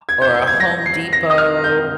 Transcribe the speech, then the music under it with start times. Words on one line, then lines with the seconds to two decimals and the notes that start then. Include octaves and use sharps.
or a Home Depot
0.09 G#6
0.22 G6
0.35 G6
0.47 G#6
0.60 A#6
0.86 C7
1.13 A#6
1.30 D#6
1.38 F6
1.64 G6